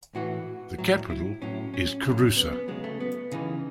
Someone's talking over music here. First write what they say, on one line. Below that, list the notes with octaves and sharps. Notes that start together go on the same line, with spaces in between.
The capital is Kouroussa.
A2 E3 F#4
A2 F#3
E4
A2 F#3 C#4
C#4
C#3 F#3
B3
B3
C#3 F#3 G#3
A3
B3
C#3 E3 D#4